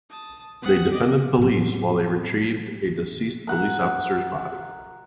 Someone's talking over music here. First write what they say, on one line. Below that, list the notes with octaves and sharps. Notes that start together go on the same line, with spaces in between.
They defended police while they retrieved a deceased police officer's body.
A5 D#6
B3 C4 F#5 D#6
D5 D#5
A2 F#3
A#4 F#5